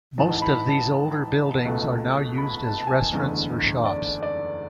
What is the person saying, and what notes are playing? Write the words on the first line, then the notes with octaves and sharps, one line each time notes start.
Most of these older buildings are now used as restaurants or shops.
A1 G#2 E3 A5
A5
B5
A5
C#2 B2 A3
B5
A5
A5
G#5
F#1 E2 D3 A3
D5
D5